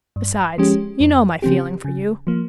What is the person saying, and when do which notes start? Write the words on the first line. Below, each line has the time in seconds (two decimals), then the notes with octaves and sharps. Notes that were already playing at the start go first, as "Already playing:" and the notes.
Besides, you know my feeling for you.
0.16 G2
0.58 F3 G#3 C#4 G4
1.00 F2
1.42 C#3 F3 C4 G4
1.85 C#3
2.27 F3 A#3